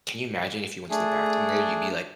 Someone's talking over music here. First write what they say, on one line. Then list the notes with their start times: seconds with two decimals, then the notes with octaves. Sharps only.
can you imagine if you went to the bathroom there, you'd be, like,
0.91 A3 D4 G#4